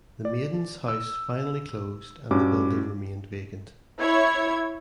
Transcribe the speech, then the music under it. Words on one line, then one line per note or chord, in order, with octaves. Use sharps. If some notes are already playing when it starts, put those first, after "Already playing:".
The Maidens’ House finally closed and the building remained vacant.
D5
E6
G2 C#4 F#4 D6
E4 C#5 G#6